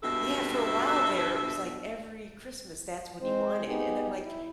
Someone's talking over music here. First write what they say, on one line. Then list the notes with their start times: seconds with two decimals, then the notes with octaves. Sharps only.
Yeah, for a while there, it was like every Christmas, that's what he wanted, and I'm like,
0.03 G2 B2 A4 E5
3.20 G#3 C4 C5
3.66 B3 D#4 G4 G#4
4.23 E4